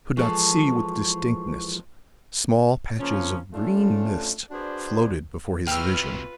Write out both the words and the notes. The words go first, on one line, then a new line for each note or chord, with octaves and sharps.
He could not see with distinctness. Small patches of green mist floated before his vision.
E3 F3 G#3 A4 C#6
C#3 F3 A#3 C#4
A3 C#4 D4 F4 A4
D4 F#4 G#4 B4 C5 D5
C3 F#3 F4 B4 G5 E6 F6